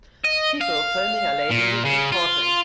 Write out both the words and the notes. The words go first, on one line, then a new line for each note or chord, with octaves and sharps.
People filming a lady who is reporting.
D#5
F5
A#2
C#3
F4